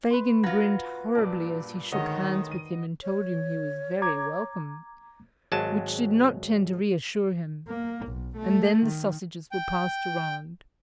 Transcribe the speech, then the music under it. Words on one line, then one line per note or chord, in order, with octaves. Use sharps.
Fagin grinned horribly as he shook hands with him and told him he was very welcome, which did not tend to reassure him, and then the sausages were passed around.
B4 C6
F4 F#4 A#5 G#6 A#6
G2 A#2 D5 A5
D2 D3 D#3 G#3 C#5 D#5 F#5
D#7
C#5
A#5 D6 G#6
G#1 F#3 G#3 A5
A#3
B1
A3
D#3
G5